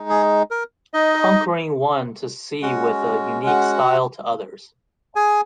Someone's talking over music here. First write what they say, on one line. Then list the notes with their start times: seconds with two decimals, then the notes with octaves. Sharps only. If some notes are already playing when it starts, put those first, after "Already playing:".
Conquering one to see with a unique style to others.
Already playing: G#3 D#4
0.09 G#4
0.51 A#4
0.94 D#4 D#5
2.62 G#3 C#4 F#4 F#5
3.46 F#4 F#5
5.16 G#4 G#5